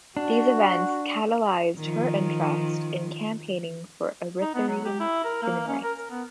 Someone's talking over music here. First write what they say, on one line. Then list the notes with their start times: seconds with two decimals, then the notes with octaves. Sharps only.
These events catalyzed her interest in campaigning for Eritrean human rights.
0.17 D4 F#4
1.77 D#3 F3
4.41 D#4
4.55 B3
4.68 F#3
4.85 G4
5.00 E4
5.24 A#4
5.42 A#3
5.68 C#4
5.84 A#4
5.98 A#4
6.11 B3